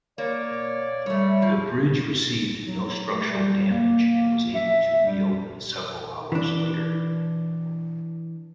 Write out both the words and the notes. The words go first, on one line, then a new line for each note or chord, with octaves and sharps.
The bridge received no structural damage and was able to reopen several hours later.
A#3 C#5 D5
G3 A3 C#5
F3
F#3
A3
G3
A#3
E5
G3
E3 D4